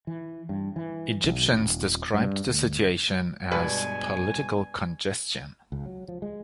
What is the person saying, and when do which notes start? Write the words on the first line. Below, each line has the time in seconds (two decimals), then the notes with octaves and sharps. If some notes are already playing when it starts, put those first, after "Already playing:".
Egyptians described the situation as "political congestion".
0.07 E3
0.49 G2
0.76 E3
1.24 B1
1.51 D#1
2.14 G2
2.47 D2
3.51 G2 B2 G#3 B4 D5 G#5
5.72 C#2
5.86 F#3
6.08 F3
6.22 G#3